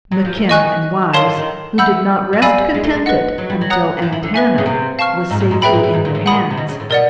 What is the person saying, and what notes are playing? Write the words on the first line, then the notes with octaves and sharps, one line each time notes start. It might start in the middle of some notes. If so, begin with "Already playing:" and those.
McKim and Wise, who did not rest contented until Aunt Hannah was safely in their hands.
F#3
F3
E3
D#3 D#5 G#5 C#6 F#6
D#3 A#4 C#5 F5 A5 C6
D3
D#3
E3 F#5 B5 E6 G6
G3
F#3 D5 F5 G#5 B5 E6
G3
G#3
A3
G#3
B4 D#5 F#5
F#3
G3
F#3
C#5 F#5 A#5 D#6 F#6
F3
E3
D3
B4 E5 G#5
C#3
C3
F5 A5 C#6 F6
G#2
A2
G#2
A2 G#4 B4 E5 G5 B5
A#2
A2
G#2
A#2
A2
A#2 F#5 B5 D#6
C3
B2
C#3
A2
B2 A#4 D5 F#5